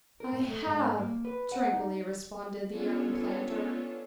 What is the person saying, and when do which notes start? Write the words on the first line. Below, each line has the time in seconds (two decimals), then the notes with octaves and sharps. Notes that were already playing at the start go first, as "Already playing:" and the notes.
"I have," tranquilly responded the young planter.
0.20 A#4
0.32 A2
0.48 A3
0.66 G#2
0.98 A#3
1.25 B4
1.52 F#5
1.73 D#4
2.69 B3 C#4 D4 F4 A4 C#5